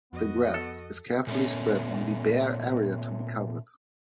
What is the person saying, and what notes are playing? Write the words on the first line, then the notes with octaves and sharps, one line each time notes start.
The graft is carefully spread on the bare area to be covered.
F2 B3 F#4 D#5
A4
A#2 A3 B3 C#4